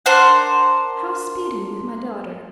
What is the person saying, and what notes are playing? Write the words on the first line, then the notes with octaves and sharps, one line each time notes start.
"How speed you with my daughter?"
D4 A#4 C5 F#5